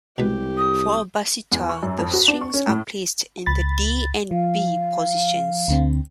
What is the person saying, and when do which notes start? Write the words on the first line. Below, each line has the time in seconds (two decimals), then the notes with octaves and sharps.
For a basitar, the strings are placed in the D and B positions.
0.18 C2 B2 G#3 G4 B4
0.57 D#6
1.52 E2
1.69 C#6
1.83 F#2
1.98 F2
2.14 F#4
2.28 D4
2.41 C#6
2.54 C#4
2.67 A2
3.46 C#2 B5 A6
4.31 F3 F5
5.68 D2 D3 C4